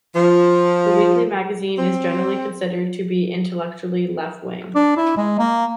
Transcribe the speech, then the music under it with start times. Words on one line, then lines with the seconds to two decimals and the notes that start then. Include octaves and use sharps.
The weekly magazine is generally considered to be intellectually left-wing.
0.15 F3
1.78 C4
4.75 D4
4.97 E4
5.17 G#3
5.39 A#3